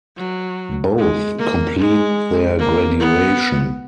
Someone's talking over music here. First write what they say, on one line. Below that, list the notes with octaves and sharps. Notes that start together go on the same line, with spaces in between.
Both complete their graduation.
F#3
G#3
A#3
G#3
A#3
B3